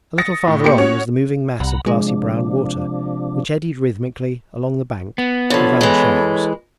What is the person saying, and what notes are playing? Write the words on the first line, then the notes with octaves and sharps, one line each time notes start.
A little farther on was the moving mass of glassy brown water which eddied rhythmically along the bank and round the shallows.
D#6 A6 A#6 C#7
A2
A#3 G4 C#7
C#4 F#4 C#5
C2 F#5 A#5 B5
C3 F3 G#3 D4
B3
D3 F3 A4 C#5 B5
E3 G#3